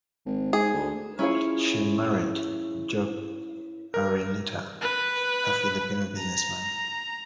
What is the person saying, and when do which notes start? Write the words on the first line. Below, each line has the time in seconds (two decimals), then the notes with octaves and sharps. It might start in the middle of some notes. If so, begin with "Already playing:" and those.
She married Jorge Araneta, a Filipino businessman.
0.26 G#1
0.53 G#2 G#4
0.74 D2
1.19 C#4 E4 F4 G#4 C#5
3.94 A#4
4.81 B4
6.17 A#5